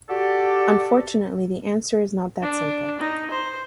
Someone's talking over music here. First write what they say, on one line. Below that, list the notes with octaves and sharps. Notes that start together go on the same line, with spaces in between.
Unfortunately, the answer is not that simple.
F#4 G4 A4 D5
D4
D#4
C5